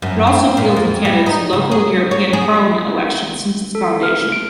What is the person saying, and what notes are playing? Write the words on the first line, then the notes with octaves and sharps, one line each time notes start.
It also fielded candidates in Local and European Parliament elections since its foundation.
F#2
C4
A#2
F2
G3
D#4
C#3
G#4
C#5
G#4
A4
E5
F6
D7